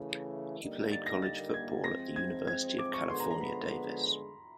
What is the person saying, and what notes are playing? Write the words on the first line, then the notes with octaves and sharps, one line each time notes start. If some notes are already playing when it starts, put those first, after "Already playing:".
He played college football at the University of California-Davis.
Already playing: C#3 E3 A3
D3 G3 A#3 D#4
A6
A#6
A6
G#6
F3 G#3 C4 A#6
G#6
G#6
D6
C#6
D3 F3 G#3 B3 C6
A#5
A#5
B5